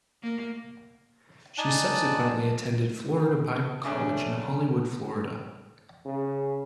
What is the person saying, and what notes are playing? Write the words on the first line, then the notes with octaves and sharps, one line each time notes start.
She subsequently attended Florida Bible College in Hollywood, Florida.
A#3
D#4 D5 G#5 A5 F#6
C#3 A3 C#4 D4
C#3